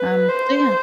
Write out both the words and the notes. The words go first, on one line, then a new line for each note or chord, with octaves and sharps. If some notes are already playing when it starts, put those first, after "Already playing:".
Um, so yeah.
Already playing: B4
C5